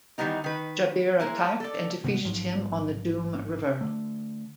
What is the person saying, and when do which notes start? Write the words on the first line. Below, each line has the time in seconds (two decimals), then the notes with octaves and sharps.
Djabir attacked and defeated him on the Dume River.
0.18 D#3 E3 G3 B3 D#4
0.44 D#3 B4
1.20 G#3 A#3 E4
1.60 A4 D5
2.03 G#1 C3 E3 B3
2.24 A1 G#2 F3 F#3
3.81 D3 A3